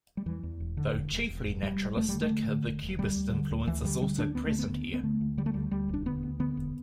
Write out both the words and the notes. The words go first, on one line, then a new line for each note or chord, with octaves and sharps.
Though chiefly naturalistic, the cubist influence is also present here.
G3
E2 E3
E2
E1
D3
E1
E1
E1
E1
E1 G3
E1
E1 A3
G3
D3
A3
D3
D3
E1
E1
D2 G3
D2
D3
D2
D2 E3
D3 G3
D3 G3
D2 D4
D2 B3
A3
D3
B3
D2
D2
B3
D3 A3
D2
D3 G3
A3
D2 G3
D2 G3
E1 D4
D3 B3
D2
D3 B3
E1